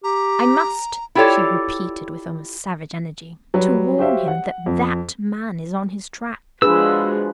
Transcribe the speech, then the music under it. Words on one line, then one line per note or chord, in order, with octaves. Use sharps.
I MUST!" she repeated with almost savage energy, "to warn him that that man is on his track. . . .
G4 A#5
E4 F4 G4 A4 C#5 D5
F#3 G3 B4
F#4 G4 C5 C#5 E5 F5
F#5
F2
F3 G#3 D4 F#4 G#4 B4 E6